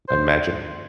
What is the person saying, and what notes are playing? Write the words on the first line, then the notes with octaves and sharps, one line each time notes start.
I imagine.
C5